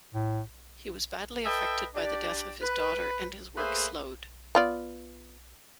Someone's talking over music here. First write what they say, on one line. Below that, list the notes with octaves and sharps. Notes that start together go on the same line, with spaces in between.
He was badly affected by the death of his daughter and his work slowed.
A2
A4 B4 D#5 E5 G5 A5
D4 G4 D5
B4
A3 A#3 G#4 B4 C5 E5
B3 F4 D5